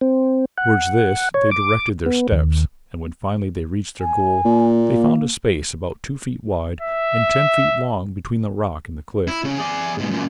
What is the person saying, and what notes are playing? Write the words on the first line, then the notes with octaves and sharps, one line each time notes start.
Toward this they directed their steps and when finally they reached their goal they found a space about two feet wide and ten feet long between the rock and the cliff.
C4
F#5
C#5
D6
B3
D#2
G#5
A#2
A#3
E5
E4
C#3
G#4 D5
G#2 B2
F#2 A#2